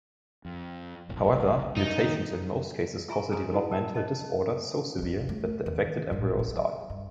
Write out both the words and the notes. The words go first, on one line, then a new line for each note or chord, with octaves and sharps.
However, mutations in most cases cause a developmental disorder so severe that the affected embryos die.
F2
E1 A#1
F#2 D#4
D#3
F4 E5 G#5 A#5 C6 C#6
G#4 A4 B4 G#5 A#5 C6
D#4 E4 F#4 F#5
A#4 G5 A5
C#5 D#5 E5 A5
E2 F#3
A3
E2 D#3
A#1 A2
F#3
G2